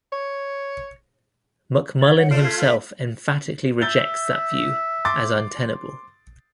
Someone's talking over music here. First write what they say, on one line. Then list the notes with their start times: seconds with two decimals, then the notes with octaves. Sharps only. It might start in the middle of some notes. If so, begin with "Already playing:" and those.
McMullin himself emphatically rejects that view as untenable.
0.12 C#5
1.99 E5 G#6 A6 F#7
2.17 D#4 C#5 F#5
2.31 A3 F4 D5 C7 D7 E7
2.44 G#6 B6 C7
2.62 E5
3.82 E5 G6 A6 G7
5.05 C6 D6 A6